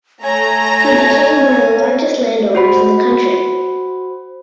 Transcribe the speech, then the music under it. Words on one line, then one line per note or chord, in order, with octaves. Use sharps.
He became one of the largest landowners in the country.
A3 C#5 G#5 A#5
F#4 C5 B5